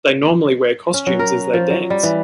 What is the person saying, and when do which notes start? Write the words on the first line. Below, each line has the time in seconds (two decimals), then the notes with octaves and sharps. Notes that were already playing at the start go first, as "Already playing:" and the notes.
They normally wear costumes as they dance.
0.94 C#4
1.07 F#3
1.19 A#4
1.53 F3
1.70 F#3
1.90 G3
2.03 E3